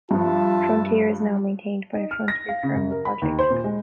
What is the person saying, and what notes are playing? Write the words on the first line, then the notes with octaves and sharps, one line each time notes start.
Frontier is now maintained by the Frontier Kernel Project.
G2 F3 F4 E5 A5
D#4
F6
A#6
F5
C#3
F#2
A#4
B5
D#2
C5
A#2
G#3